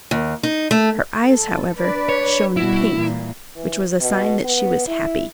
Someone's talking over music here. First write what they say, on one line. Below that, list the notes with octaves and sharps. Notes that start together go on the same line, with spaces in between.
Her eyes, however, shone pink, which was a sign that she was happy.
D#2
D#4
A3
A4
D4 B4 D5
C#5
B2 G3 E4 F#4
A#2 E3 G3
E3
B2
B3
E4